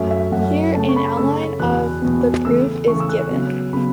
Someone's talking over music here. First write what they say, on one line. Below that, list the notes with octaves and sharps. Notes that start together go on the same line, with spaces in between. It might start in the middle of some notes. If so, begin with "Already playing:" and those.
Here an outline of the proof is given.
Already playing: F#2 F#3 A3 C#4 E5
E5
F#2 F#3 A3 C#4 F#5
C#3 A3 C#4 A5
C#6
B5
C#3 A3 C#4 E6
E2 B2 B3 F#6
E2 B2 B3
C#3 E3 A3 E6
C#3 E3 A3 C#6
E6
F#6
C#3 F#3 B3
C#3 F#3 B3 B5